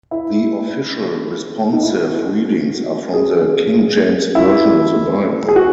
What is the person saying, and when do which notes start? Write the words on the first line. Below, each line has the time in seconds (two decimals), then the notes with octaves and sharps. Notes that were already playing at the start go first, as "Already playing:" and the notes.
The official Responsive Readings are from the "King James Version of the Bible".
0.11 E4
1.73 D#4
1.83 E4
1.92 F#4
3.14 G#4
4.35 E4
5.48 G#4
5.56 F#4